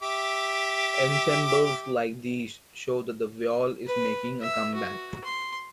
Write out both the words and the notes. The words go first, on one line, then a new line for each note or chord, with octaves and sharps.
Ensembles like these show that the viol is making a comeback.
G4 E5 D6
B4
E5
F#4
C6